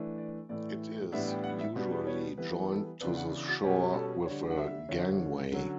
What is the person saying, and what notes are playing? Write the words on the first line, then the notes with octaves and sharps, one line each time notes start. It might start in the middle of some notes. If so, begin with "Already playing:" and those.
It is usually joined to the shore with a gangway.
Already playing: E3 A3 D4
D5
A2 E3 A3 D5
A2 E3 G3 B3 D4 E5
G5
F#5
E5
B2 G3 B3 D4
C#5
E3 G3 B3 B4
A4
C#3 E3 B3 D4 B4
F#5
F#4
B2 G3 C#4 G4
A4
D3 G3 D4 C#5
F#5
E5
D3 F#3 C#4
D3 F#3 C#4